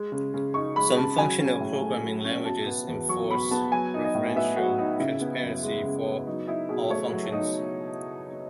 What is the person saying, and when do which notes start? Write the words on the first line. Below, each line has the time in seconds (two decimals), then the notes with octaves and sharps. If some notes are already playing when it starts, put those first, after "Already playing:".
Some functional programming languages enforce referential transparency for all functions.
Already playing: G#3
0.12 C#3
0.34 C#3
0.54 D#4 C#6
0.76 G#3 B5
0.96 C#3 A5
1.18 F#3 G#5
1.40 C#4
1.60 A2
1.81 A3
2.03 F#3
2.25 C#4
2.45 B2 A5
2.66 B3
2.88 E2
3.08 F#3 C#6
3.30 B2 B5
3.51 B3 A5
3.72 F#3 G#5
3.94 D#4
4.04 D#5
4.15 A2
4.36 B3 E5
4.57 F#3 F#4
4.79 D#4
5.00 C#3 E4
5.21 B3
5.43 F#2
5.63 G#3
5.84 C#3
6.06 B3
6.27 F#3 D#4
6.47 D#4 E4
6.69 B2 G#4
6.90 A3 C#5
7.12 F#3
7.32 D#4